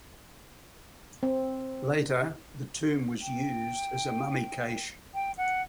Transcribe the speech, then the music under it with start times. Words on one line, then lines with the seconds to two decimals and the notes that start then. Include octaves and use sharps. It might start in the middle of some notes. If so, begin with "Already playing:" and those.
Later the tomb was used as a mummy cache.
1.23 C4
3.22 G5
5.14 G5
5.38 F#5